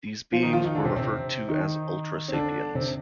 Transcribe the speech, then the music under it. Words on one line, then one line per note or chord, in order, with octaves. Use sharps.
These beings were referred to as "Ultra Sapiens".
F3 F4
D#3 D#4
F3 F4
D#3 D#4
D3 D4
C3 C4
C3 C4
D#3 D#4
C4
D3 D4
C3 C4